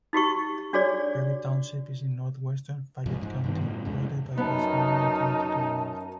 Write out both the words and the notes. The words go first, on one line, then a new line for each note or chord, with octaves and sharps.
Perry Township is in northwestern Fayette County, bordered by Westmoreland County to the north.
D#4 F#4 G4 C#6
D4 F#4 G#4 C#5 D5
A1 G#2 F3
G#2
G2 D#3 B3
A2 C#3
E2 G#2 C#3
F#2 B3 D#4 A#4 A5